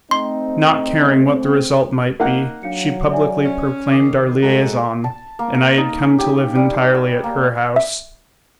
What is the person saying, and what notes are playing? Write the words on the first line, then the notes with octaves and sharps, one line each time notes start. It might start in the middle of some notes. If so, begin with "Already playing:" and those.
Not caring what the result might be, she publicly proclaimed our liaison, and I had come to live entirely at her house.
A3 C4 D#4 C6
A#3 D#4 F#5
F#3 D4 F5 C#7
D5 E5 G#5
C#4
D#3 D6 D#6 C7
G#3 A3 F#4 A4 A#5
A5
A#3
A#4
D#4
C#4
G4
G3
E6
A#3
E5